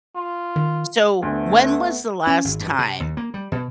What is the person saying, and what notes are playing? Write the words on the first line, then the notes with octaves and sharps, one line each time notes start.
So, when was the last time
F4
D#3
D2 A3 B3
C#4
G#1
G2
C3
D#2
A#3
G3
B2